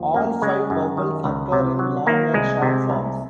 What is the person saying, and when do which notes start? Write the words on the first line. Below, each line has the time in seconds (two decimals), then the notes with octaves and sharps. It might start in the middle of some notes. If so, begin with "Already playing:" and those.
All five vowels occur in long and short forms.
Already playing: D#2 F3
0.14 F#2 A#3
0.42 C#3 G#3
0.70 F#2
0.97 D#3
1.24 C#2
1.52 C3
1.79 F#3
2.07 D#3 A#3
2.34 C2 G#3
2.62 C3
2.90 C2